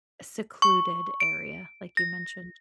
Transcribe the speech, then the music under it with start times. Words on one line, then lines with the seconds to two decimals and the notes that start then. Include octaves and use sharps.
secluded area like you mentioned.
0.62 C#6
1.20 D7
1.97 A#6